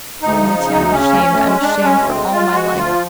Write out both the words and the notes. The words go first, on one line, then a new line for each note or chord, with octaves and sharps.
Oh, Mitya, I'm ashamed, I'm ashamed for all my life.
D2 D#4
F3
C#3
D2
C#3 C#4
D2
D2
G#3
G#3 D4
G#3
C#4
D2
C4
G#3
G#3 F4
G#3
F#4
D2
F4
F3